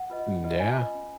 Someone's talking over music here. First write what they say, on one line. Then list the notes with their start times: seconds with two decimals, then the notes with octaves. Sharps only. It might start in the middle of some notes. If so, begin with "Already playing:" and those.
Mm, yeah,
Already playing: F#5
0.10 F4 B4 D#5
0.27 C#4
0.44 F4 B4 D#5
0.60 C#4 G#5
0.77 F4 B4 D#5
0.95 C#4